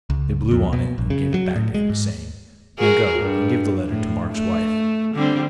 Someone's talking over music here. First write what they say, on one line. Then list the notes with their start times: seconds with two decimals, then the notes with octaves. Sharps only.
They blew on it and gave it back to him, saying: 'Now go and give the letter to Mark's wife.
0.10 C#2
0.51 F2
0.73 B2
0.98 A#1
1.10 C#3
1.34 F#3
1.56 A2
1.74 G#3
1.90 G#2
2.79 F#4 G#4 A#4
3.18 G2
3.86 A2
4.33 A3
5.14 D3 G3 C4